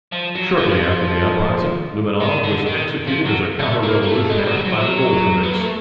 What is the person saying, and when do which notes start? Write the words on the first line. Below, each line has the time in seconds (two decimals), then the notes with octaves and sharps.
Shortly after the uprising, Lamanov was executed as a counter-revolutionary by the Bolsheviks.
0.12 F3
0.35 F#3
0.57 F3
2.21 D#3
2.44 D3
2.67 D#3
3.07 F3
3.25 F#3
3.59 A3
3.83 A#3
4.03 A#3
4.06 A3
4.30 G#3
4.39 G3
4.46 F#3
4.54 G3
4.65 F#3
4.73 F3
4.79 F#3
5.43 B3
5.52 A#3
5.61 A3